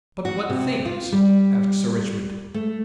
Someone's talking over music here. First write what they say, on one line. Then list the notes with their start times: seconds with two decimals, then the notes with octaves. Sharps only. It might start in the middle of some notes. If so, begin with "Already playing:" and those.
"But what things?" asked Sir Richmond.
0.25 F#4
0.50 C3
0.85 F4
1.12 G3
2.54 A3